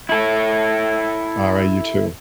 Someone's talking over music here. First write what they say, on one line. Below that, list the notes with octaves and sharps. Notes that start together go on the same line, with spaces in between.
Alright, you, too.
E4 A4